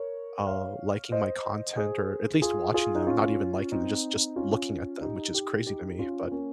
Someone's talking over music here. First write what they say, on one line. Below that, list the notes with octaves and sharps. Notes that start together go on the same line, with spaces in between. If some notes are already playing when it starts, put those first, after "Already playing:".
uh, liking my content or at least watching them, not even liking them, just just looking at them, which is crazy to me. But
Already playing: A#4 C#5
C#5 F5
C5 D#5
G#4 C5
F4 G#4
F4 G#4
D#4
C#4 F4
C4 D#4
C#4 F4
D#4 G4
D#4 G4
D#4 G4
C#4 F4
A#3 C#4